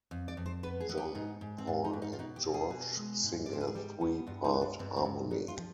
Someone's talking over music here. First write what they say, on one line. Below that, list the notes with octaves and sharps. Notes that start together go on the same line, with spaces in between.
John, Paul, and George sing a three-part harmony.
F2
D5
F2
C5
B3 B4
G#4
B3
G4
G#2 D#4
G#2
C4
G#2 D4
D#4
G#2
D#4
F4
B2 D#4
G4
B2
G#4
B2
G#3
G#2
D5
G#2 C5
B4
G#4
G3 G4
B3
G2 F4
D#4
B3
D4
G2 C4
C4
G2
G2 D#4
F4
F3